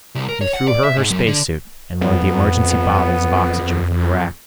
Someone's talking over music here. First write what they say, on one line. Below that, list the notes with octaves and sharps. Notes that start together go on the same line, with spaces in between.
He threw her her spacesuit and one of the emergency bottles of oxygen from the rack.
C2
A#4
C#5
F#5
D5
E5
G#2
F#2
D3
F2 B3